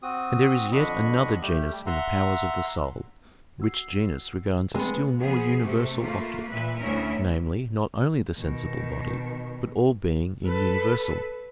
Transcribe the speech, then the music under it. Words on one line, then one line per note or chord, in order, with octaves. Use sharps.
And there is yet another genus in the powers of the soul, which genus regards a still more universal object--namely, not only the sensible body, but all being in universal.
C4 F#4 D#6
F2 D3 D4 D#5 B5 C#6
G3 A3 G4
E5 F#5 A#5 C6
F#4 E6 C7
G#3 A3 B3 C4 D4 B4
F3 B3 G#4
C3 A3
A3 A#3 F4 B4
A#2 E3 B4 E5
D2 A2 C#4 E4 A#4 E5
B2 D#3
A4 B4